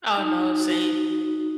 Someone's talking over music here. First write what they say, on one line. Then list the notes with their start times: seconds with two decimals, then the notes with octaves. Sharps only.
Oh, no. Same.
0.17 D#4
0.60 F#4